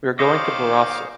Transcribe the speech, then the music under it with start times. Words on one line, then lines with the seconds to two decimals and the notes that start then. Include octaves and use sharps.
We are going to Borrassà.
0.19 D#3 C5 C#5 D#5 F5 D6